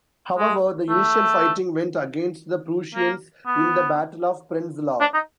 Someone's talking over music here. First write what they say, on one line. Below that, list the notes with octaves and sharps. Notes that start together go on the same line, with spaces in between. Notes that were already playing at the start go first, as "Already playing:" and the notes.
However, the initial fighting went against the Prussians in the Battle of Prenzlau.
G#3
A3
A#3
B3
D4
D#4